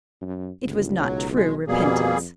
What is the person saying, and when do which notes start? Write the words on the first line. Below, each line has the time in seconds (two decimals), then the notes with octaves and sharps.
It was not true repentance.
0.21 F#2
0.63 G1 C#2
0.98 B1 F#3
1.35 G#3
1.68 F2 B2 G3 A#3 G#4